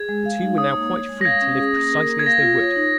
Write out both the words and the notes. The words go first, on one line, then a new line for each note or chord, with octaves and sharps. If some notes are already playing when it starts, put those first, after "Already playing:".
The two were now quite free to live precisely as they would.
Already playing: G#4 G#6
G#3
F5
D#4
C#5 D#6
A#3
C#5
G#3
A#6
F5 G#6
C#4
G#4
A#3
A#4
A#3
G#6
F5 A#6
F4
C#5
D#4